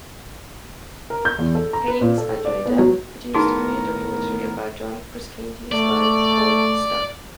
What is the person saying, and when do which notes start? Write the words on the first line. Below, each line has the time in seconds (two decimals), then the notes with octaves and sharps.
Haynes and Johnny Depp produced a mini-documentary about John Frusciante's life called "Stuff".
1.10 A#4
1.25 G6
1.39 E2
1.55 A4
1.73 A#5
1.88 B4
2.01 A#2
2.18 A4
2.45 D5
2.66 B3
2.79 F#3
3.35 A2 D#3 B3 D#4 F#4 G#4 A#4
5.72 A3 D5